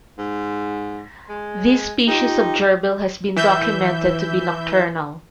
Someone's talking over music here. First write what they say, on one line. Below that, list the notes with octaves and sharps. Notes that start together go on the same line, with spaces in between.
This species of gerbil has been documented to be nocturnal.
G#2
G#3
D#4 F4 G4
E3 E5 G6